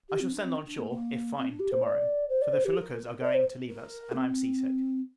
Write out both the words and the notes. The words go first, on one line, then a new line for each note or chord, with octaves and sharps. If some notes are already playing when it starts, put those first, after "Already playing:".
I shall send on shore, if fine, to-morrow; for the feluccas are going to leave us, and I am sea-sick.
G4
C4
D4
C4
D4
D4
A#3
A#3
C4
D4
G4
C5
D5
C5
D5
C5
G4
A#4
A#4
D5
C5
A#4
A#3
C4